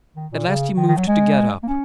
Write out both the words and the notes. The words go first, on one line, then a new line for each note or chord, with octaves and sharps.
At last he moved to get up.
D#3
A#2
C#3
D#3
D#3
F#3
G#3
A#3
C#4